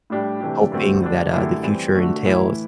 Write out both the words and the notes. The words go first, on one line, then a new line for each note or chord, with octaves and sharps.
hoping that, uh, the future entails,
A2 G3 D4 G4
C3 E3 A3 D4 G4
F#2 D3 A3 C4 F#4
D3 G3 D4
F#2 D3 A3 E4 G4
E3 G3 C4
D3 A3 D4 F#4
A2 E3 A3 E4